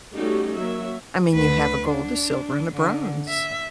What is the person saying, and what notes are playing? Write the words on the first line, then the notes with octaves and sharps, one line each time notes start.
I mean, you have a gold, a silver, and a bronze.
G3 A3 C#4 D#4 F#4 G4
F#3 A#3 E5
D2 B4
D4
D3
E5